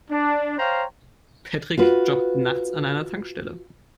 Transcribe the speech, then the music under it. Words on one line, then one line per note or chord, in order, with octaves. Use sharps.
Patrick jobbt nachts an einer Tankstelle.
D4
C5 C#5 F5 G5 A#5
F4 F#4 B4